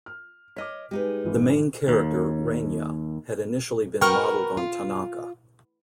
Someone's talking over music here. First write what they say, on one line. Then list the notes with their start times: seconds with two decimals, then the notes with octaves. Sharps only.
The main character, Reinya, had initially been modeled on Tanaka.
0.06 F6
0.56 C#5 D#5 D6 F6 B6
0.91 G#3 D#4 G4 G#4 B4
1.24 G#1 G#2 E3
1.88 D#2
4.01 F#4 A#4 B4 G5 C#6 F6
4.57 F4